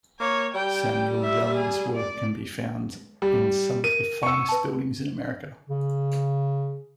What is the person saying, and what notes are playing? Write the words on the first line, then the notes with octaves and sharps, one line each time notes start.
Samuel Yellin's works can be found in some of the finest buildings in America.
A#3 C#5
G3 G5
E5
G#4
D5
G3
A#4 D#7
F#5 C#6 E6 C#7
B4 A5
C#3